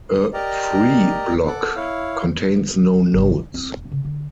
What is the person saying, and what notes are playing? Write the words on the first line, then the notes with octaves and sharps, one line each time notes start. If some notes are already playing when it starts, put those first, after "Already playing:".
A "free" block contains no nodes.
D#6
G4 A#4 D5 D#5 A#5
A4 F#5 D6
E4 C#5 F5
G1 C3
D3
C4 E4
E1
C#3
D3